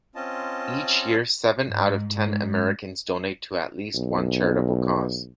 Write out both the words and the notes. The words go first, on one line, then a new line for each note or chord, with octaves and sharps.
Each year, seven out of ten Americans donate to at least one charitable cause.
C4 C#4 F4 D#5 A5
G#2
G#2
B1